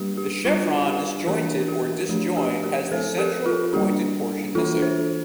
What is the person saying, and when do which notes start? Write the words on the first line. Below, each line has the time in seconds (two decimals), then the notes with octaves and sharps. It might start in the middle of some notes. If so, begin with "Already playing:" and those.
The chevron disjointed or disjoined has the central, pointed portion missing.
Already playing: G3 A#3 D4 G4
0.17 G4
0.45 G3 D4 F4
0.86 G4
1.27 E3 A#3 D4 G4 A#4
1.68 G4 A#4
2.09 F3 A3 D4 G4
2.37 G4
2.63 G4 A#4
2.91 F3 C4 A4 C5
3.18 G4 A#4
3.46 F4 A4
3.73 G3 A#3 D4 G4
4.55 E3 A#3 D4 F4 A4
4.82 A4 C5